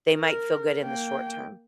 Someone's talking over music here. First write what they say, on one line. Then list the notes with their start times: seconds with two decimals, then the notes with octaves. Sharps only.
They might feel good in the short-term.
0.15 A#4
0.82 A#3 G5